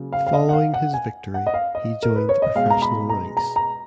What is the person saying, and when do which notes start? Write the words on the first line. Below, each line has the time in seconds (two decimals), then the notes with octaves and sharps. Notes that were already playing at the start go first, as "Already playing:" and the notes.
Following his victory, he joined the professional ranks.
Already playing: C#3 F#3 A#3
0.13 F5
0.27 F5
0.33 D#5
0.49 F#5
0.53 F5
0.74 F#5
0.93 G#5
1.34 F#5
1.47 D#5
1.54 F5
1.75 D#5
2.03 A#4
2.16 B4
2.29 C#5
2.42 D#5
2.55 B2 G#3 F5
2.70 A#5
2.82 B5
3.09 A#5
3.37 A#5
3.56 A#5